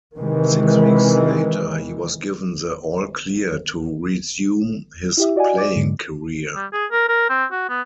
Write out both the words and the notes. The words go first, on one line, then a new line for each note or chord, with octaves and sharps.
Six weeks later, he was given the all-clear to resume his playing career.
C3 D#3 E3 G#3
E4 G4 E5
F#4 D5 D#5 F#5 G#5
D5 D6
G#2 D3 F#3 G#3
G3
G#4
A#4
A#4
C4
F#4
B3